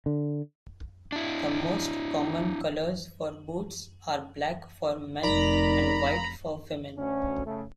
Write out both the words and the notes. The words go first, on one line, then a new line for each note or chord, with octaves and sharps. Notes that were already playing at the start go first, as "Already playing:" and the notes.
The most common colors for boots are black for men and white for women.
D3
D4 E4
F1 D#3 D5 A#5 B5
D2 C#4
C#3 A3